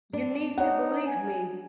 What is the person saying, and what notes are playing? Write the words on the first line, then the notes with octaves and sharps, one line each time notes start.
You need to believe me.
D4
D#4 C#5 F#5
G#5